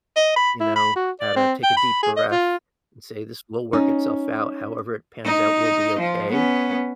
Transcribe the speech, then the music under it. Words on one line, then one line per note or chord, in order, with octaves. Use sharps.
you know, at a take a deep breath and say, "This will work itself out. However it pans out will be okay,"
D#5
B5
E4
B5
F#4
D5
C4
G5
B5
G#4
D#5
F4
C#4 D#4
D#4
F3
B3 C#4